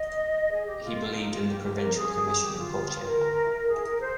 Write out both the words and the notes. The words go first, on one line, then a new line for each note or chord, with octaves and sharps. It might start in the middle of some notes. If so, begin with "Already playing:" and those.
He believed in the Provincial commission of culture.
Already playing: D#5
G#4
G4
F4
D#4
F4
G4
G4
C5
A#4
G#4
G4
F4
A#4
A#4
G#4
A#4
C5